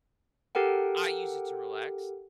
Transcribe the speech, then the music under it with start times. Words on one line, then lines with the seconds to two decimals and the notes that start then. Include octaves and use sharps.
I use it to relax.
0.55 G4 A4 A#4 F#5 G5